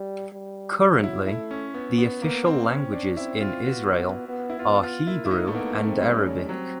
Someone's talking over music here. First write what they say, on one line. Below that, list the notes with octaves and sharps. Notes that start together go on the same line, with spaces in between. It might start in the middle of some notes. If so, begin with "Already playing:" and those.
Currently, the official languages in Israel are Hebrew and Arabic.
Already playing: G3
G3
F#3
E4
A3 E4
C#4
B3
B3
A#3 B3
C4
C4 C#4
D4
C4 E4
F4
B3 F#4
B3
B3
E4
B3 F4
F4
A#3 E4
E4
D#4
A3
A#3 B3
A3
C4
G3
C#4
F#3 C4